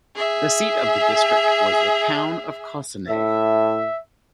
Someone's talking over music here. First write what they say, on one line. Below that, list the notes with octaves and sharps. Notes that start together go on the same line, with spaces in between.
The seat of the district was the town of Cossonay.
G#4 E5
A2 E5